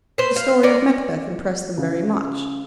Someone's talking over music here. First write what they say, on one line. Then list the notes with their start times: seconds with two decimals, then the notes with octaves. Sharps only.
The story of Macbeth impressed them very much.
0.18 B4 C5
0.36 F5
0.63 C#4 A#4 D5
1.78 C#3